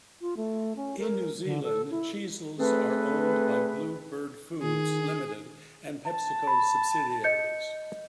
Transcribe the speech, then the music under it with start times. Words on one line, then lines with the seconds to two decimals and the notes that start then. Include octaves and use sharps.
In New Zealand, Cheezels are owned by Bluebird Foods Limited and Pepsico subsidiaries.
0.21 F4
0.37 A3
0.76 C#4
0.99 A#4
1.45 D3
1.63 A4
1.91 E4
2.59 A3 C4 G#4 A4 B4
4.62 D#3 G#4
6.06 A5
6.47 B5
7.24 D#5 G6 C#7